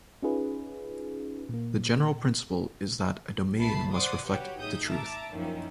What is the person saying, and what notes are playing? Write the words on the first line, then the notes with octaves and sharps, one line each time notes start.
The general principle is that a domain must reflect the truth.
C#4 D#4 F4 G#4 B4
A#2 A#3
B1 A3 B3 A5 B5 C7
C5 D5 F#5 C6 D6 D#6
F#4 G4 B4 C#5 F#5 G5
A1 D#4 G#4 E5 D#6 G6
E5 A5 A#5 D6
F#2 D#3 F3 A#3 C#4 E4